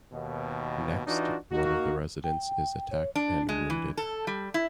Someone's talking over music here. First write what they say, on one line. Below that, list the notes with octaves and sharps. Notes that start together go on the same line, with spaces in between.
Next, one of the residents is attacked and wounded.
D#2 B2
E3 D4 D#4 F4 F#4
A#3 D#4 F#4
G5
C#5
D4
G#3
E3
A4
G3
E4